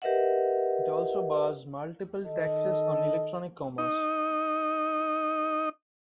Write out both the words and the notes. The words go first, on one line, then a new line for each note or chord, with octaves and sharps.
It also bars multiple taxes on electronic commerce.
G4 A#4 B4 D#5 E5 F#5
D#3 A4 D#5
D#4 D#5